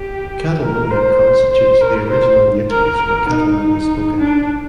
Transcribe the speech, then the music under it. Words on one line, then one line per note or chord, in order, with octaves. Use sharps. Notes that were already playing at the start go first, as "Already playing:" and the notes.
Catalonia constitutes the original nucleus where Catalan is spoken.
Already playing: G4
A#4
C5
C5
A#4
C5
A#4
D#4
D4